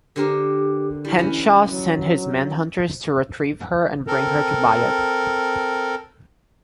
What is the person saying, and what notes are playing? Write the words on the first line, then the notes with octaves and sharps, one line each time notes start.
Henshaw sent his Manhunters to retrieve her and bring her to Biot.
D3 C4 G4 A#4
G3 E4
E3 C#4
F#3
C4 A4 A#4